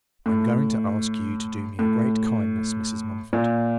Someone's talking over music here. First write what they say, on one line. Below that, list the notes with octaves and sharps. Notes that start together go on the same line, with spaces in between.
'I am going to ask you to do me a great kindness, Mrs. Mumford.'
A2
A2
A#2